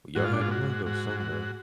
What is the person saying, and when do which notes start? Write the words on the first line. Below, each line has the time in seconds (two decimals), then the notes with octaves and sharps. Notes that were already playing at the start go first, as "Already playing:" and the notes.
Well, y'all had to learn, though, somewhere.
0.15 G#2 F#4
0.24 F4
0.33 D4
0.39 G#2 F4
0.51 F#4
0.63 G#2
0.86 G#2 F#4
1.10 G#2
1.20 F#4
1.32 G#2